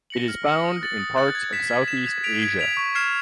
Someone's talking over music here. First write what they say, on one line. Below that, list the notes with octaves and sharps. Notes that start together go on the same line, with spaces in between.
It is found in parts of Southeast Asia.
A#6 C#7 F#7
F6
A#6 C#7 F#7
D#6
F#6 A6 C#7 F#7
D#6
F#6 A6 C#7 F#7
G#6
B6 E7
G#6
B6 E7
G#6
B6 D7 F7
G#6
B6 D7 F7
C#6
F6 G#6 C7 E7